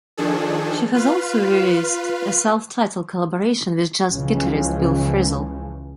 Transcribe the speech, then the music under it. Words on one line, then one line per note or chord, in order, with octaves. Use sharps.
She has also released a self-titled collaboration with jazz guitarist Bill Frisell.
D#3 F3 D4 G#4 A4
F4 B4 F5
C#2 C#3 E3 F3 G#3